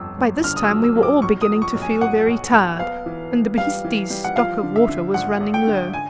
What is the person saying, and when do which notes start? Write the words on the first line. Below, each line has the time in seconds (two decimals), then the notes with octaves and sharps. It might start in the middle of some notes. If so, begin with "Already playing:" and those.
By this time we were all beginning to feel very tired, and the bhisti's stock of water was running low.
Already playing: G1 F2 E6
0.18 G1
0.44 D3 F6
0.56 D#6
0.63 E6
0.70 F#3
0.84 E6
0.96 F#3
1.03 D6
1.22 B1 C#6
1.41 D#6
1.49 F3
1.62 C#6
1.74 B1
1.82 G#5
2.01 B1 F#5
2.27 B1
2.53 B1
2.79 B3 F5
3.06 E3
3.32 B3
3.58 G3 F5
3.84 E3
4.10 G3
4.24 F#5
4.36 F3 F5
4.63 D3
4.76 E5
4.89 D3
5.14 G#1 F#5
5.41 G#1
5.54 G5
5.67 D3
5.94 G#5